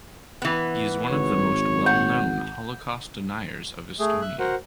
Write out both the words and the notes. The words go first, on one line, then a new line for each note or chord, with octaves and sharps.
He is one of the most well known Holocaust deniers of Estonia.
E3 B3
G#1 C#5
F#5 G6
A3 G#4
E5 F#6
F#4 A#4 C5 F#5